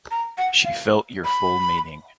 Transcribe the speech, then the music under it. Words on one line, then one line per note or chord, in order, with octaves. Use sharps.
She felt your full meaning.
A#5
F#5
F5
B5